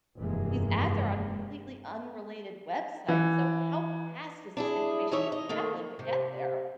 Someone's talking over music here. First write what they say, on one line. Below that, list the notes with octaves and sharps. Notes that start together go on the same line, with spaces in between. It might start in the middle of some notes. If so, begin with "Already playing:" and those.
these ads are on completely unrelated websites, so how fast is this information traveling to get there?
F1 G2 E3 G#3 A#3
E3
D4 E4 G#4
E3 D#4 C#5 E5
D#5
D#3 A3 A#3
C3